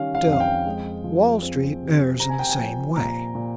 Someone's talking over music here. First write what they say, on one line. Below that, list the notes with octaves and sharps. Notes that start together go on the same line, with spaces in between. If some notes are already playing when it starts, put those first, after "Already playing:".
Still, Wall Street errs in the same way.
Already playing: D#3 G3 C#4 F5
F5
F2
F5
G5
G#3
F3
C4
C3
C4 A#5
G#5
G5
G#5
F3
A#2 A#5
A#2